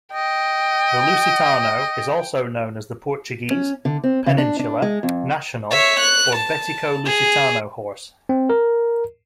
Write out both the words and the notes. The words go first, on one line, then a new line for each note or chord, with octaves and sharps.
The Lusitano is also known as the Portuguese, Peninsular, National or Betico-lusitano horse.
D#5 G5
C#4
D3
C4
C#3
D4
D4
G#3
F2
C#5 E5
F#6
A5
G#4
C4
A#4